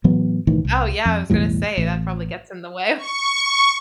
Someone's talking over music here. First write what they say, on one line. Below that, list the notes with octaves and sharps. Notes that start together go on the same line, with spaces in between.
Oh, yeah, I was gonna say that probably gets in the way of
A2 E3 F#3 B3
B1 A2 D#3 E3
C2
F2
B1 E2 A2 G3
A1
C#6